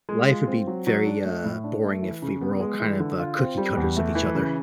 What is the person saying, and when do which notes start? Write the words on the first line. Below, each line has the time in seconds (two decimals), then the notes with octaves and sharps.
Life would be very, uh, boring if we were all kind of, uh, cookie cutters of each other.
0.09 G#3
0.28 F4
0.47 C4
0.67 F#3
0.87 F#3
1.06 D4
1.25 A3
1.44 A2
1.64 D4
1.83 A3
2.03 E3
2.22 C#3
2.41 B3
2.60 G#3
2.80 E3
3.00 D3
3.19 F4
3.38 C4
3.58 G3
3.77 E2
3.97 A3
4.15 E3
4.35 C#3